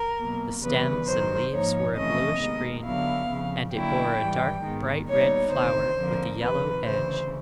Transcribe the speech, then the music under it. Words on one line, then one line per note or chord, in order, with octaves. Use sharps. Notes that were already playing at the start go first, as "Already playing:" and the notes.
The stems and leaves were a bluish green, and it bore a dark, bright red flower with a yellow edge.
Already playing: A#4
B2 F#3 A#3
E2 C#3 E3 G3 B3 B4
F#2 D#3 F#3 C5
G#2 F3 A#3 D#4 C#5
F2 C3 E3 A3 C#4 D#5
D#2 D#3 G#3 B3
D3 F#3 B3 E4 F5
F2 C#3 F3
D3 F#3 A#3 C#4 E4 G5
G#2 E3 G3
G#2 D#3 G#3 B3
A#2 G3 B3 D#4 C#5
D2 C3 D#3 C5
F2 D3 F3 A#3
F2 C3 D#3 B4
D2 C#3 E3 C5